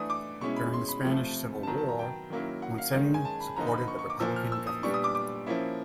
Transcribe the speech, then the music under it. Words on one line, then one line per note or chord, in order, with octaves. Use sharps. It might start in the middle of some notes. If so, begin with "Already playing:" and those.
During the Spanish Civil War, Montseny supported the republican government.
Already playing: E3 A3 D4 D#6
D6
B2 G#3 C#4 E4 C#6
B5
C6
B5
C3 F3 A3
A5
D#3 F#3 B3 A#5
A5
A#5
G5
D#3 F#3 A#3 C#4 E4
F#5
F5
D#3 G#3 C#4 F5
G#5
A5
B5
D3 F3 A#3 D#4 A#5
B5
B5
C#6
C#6
D6
A#2 F3 A#3 E6
F6
E6
D#6
A#2 G3 B3 D4 C#6
D#6
D6
D6
F3 A#3 C#4 E4